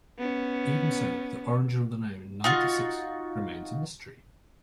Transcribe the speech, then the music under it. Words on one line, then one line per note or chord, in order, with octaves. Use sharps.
Even so, the origin of the name "Ninety-Six" remains a mystery.
B3 C#4
D#4 F4 F#4